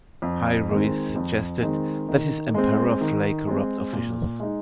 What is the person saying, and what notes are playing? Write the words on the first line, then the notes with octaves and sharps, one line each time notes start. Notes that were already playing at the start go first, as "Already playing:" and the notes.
Hai Rui suggested that his emperor flay corrupt officials.
F2
D#3 G#3 C4
F2
D#3 G#3 C4
D#3
G#3 C4
D#3
G#3 C4
A#2
G#3 D#4